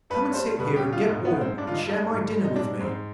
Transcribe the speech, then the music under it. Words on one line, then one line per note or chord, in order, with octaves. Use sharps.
Come and sit here and get warm, and share my dinner with me.'
G2 B4
G3 C5
B2 B4
G4
B2
F4
G#2 D#4
B3
G#2
C4
G2 D4
F4
D#4
G2
D#4
G#2
G3
D#4
G#2 D4
G#2 C4